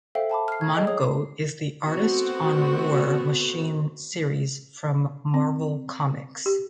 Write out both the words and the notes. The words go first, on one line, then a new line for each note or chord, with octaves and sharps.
Manco is the artist on War Machine series from Marvel Comics.
A4 C5 E5 F5 G5
G5 A5 B5 D6
F6 C7
G#6
G#4 D#5 G5
G#4 C#5 D#6
A3 B3 C4 F#4
C4
G4